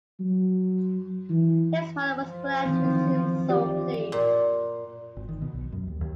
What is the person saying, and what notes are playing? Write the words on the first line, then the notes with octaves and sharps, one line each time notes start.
His mother was glad, he seemed so pleased.
F#3
E3
F3
D#3 E3 C4
F4 G4 D5
A#2
G#1
D#3
B2
B1
F#2
D#2
D#2